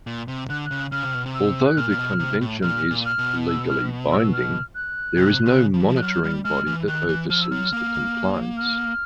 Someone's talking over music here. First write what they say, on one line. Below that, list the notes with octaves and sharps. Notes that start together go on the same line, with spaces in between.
Although the Convention is "legally binding" there is no monitoring body that oversees compliance.
A#2
C3
D3 F#6
F#6
C#3
C#3 F6
C3
B2
C3
E6
F#6
A#2 F6
A#2
B2
C3
A2
A#2 F6
A#2
F6
B2
E6
F6
E6
F6
F#6
C3
C#3
F3
E3
F3
F#6
F#3 F6
G3
G#3 F6
E3
D#3 F#6
E3
F3 F6
E6
F#3 F6
A#3
F6